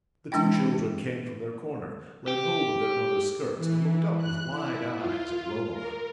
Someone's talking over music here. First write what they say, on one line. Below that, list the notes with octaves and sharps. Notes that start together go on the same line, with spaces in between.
The two children came from their corner, laid hold of their mother's skirts, and looked up with wide eyes at Romola.
E3 G#3 D4 E4 G5
G4
E3
F#6
E4
F4
A#4